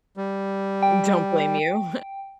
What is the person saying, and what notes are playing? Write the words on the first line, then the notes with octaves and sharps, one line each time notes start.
Don't blame you.
G3
G5